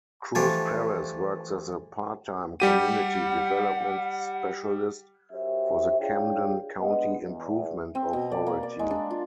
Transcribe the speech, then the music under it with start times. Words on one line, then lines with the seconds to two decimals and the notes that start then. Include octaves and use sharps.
Cruz-Perez works as a part-time community development specialist for the Camden County Improvement Authority.
0.35 E3 F3 G3 A3 D4
2.60 G3 G4 F#5 D#7
5.32 F#2 G4 C5 E5
6.00 D4 F4 G#4 C#5 F5 G5
6.81 G#3 B3 D4 D#5
7.26 E2
7.95 C4
8.13 B2
8.32 D5
8.47 A#3
8.63 D5
8.79 G#3
8.91 D4
9.11 F4